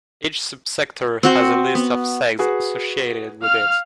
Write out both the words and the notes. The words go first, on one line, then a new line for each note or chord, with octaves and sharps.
Each subsector has a list of segs associated with it.
C4 F#4 C5
B3
F#4 G#4 B4
F5 F6